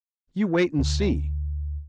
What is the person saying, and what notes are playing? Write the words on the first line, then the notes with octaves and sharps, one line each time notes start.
You wait an' see.
D2